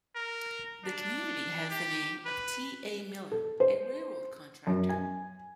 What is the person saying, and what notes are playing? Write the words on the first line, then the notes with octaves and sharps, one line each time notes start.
The community has the name of T. A. Miller, a railroad contractor.
A#4
D4
G4
B4
A4
C5
F#2
G#5